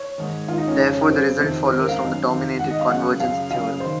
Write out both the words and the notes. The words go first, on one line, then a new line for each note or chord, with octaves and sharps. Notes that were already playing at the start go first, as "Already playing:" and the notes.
Therefore the result follows from the dominated convergence theorem.
Already playing: C#5
G#2 D#3
G#2 D#3 F4
D#4
C#4
F2 C#3
F#2 C#3 C4
F2 C3 D#3 C4
G#2 D#3 C4
A#4
F5
F#2 D#3
F2 D#3
G#2 D#3 F#5
D#5
F5
F#2 C#3 F#5
F#2 C#3 F5
F#2 C#3 F5
D#3 C5